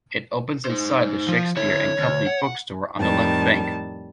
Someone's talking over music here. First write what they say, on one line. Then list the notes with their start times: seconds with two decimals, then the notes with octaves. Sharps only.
It opens inside the Shakespeare and Company bookstore on the Left Bank.
0.65 D#4 C5
1.29 F3
1.57 D3 E4 C#5
1.99 D2
2.27 F#5
2.96 F2 A2 D#3 G3 A5